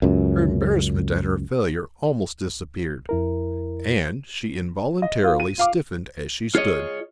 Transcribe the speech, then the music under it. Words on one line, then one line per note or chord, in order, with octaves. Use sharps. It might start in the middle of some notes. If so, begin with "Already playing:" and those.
Her embarrassment at her failure almost disappeared, and she involuntarily stiffened as she stood.
C#2 F#2
F2 E4 A#4
D#5
F4
D#7
F4 F5 D6
F4 G#4 C#5 D#5